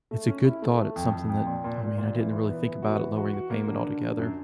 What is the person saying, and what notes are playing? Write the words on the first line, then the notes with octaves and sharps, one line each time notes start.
it's a good thought, it's something that, I mean, I didn't really think about it lowering the payment altogether
A3
C#4
E4
A3
A3
F2
F2
F2
A#2
A#2
A#2
A#2
E3
E3
B3
E3
F#4
E3
F#4
F#4
A#3
D3
D3
D3
F#2